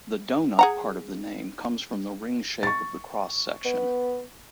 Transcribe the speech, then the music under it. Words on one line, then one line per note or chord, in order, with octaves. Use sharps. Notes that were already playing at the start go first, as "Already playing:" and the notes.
The "doughnut" part of the name comes from the ring shape of the cross-section.
G#4 F#5 A#5
C#6 A6
B3